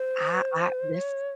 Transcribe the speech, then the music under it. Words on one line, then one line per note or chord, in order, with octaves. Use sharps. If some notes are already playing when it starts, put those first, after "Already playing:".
I I this
Already playing: C5
C#5